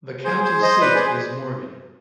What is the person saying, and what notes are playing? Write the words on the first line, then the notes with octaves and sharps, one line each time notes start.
The county seat is Morgan.
G#4 C5
G#4 C5
C5 D#5
B4 D5
G#4 C5